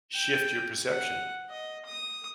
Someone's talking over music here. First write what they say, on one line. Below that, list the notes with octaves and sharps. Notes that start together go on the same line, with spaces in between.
shift your perception.
G5
F#5
D#5
D#6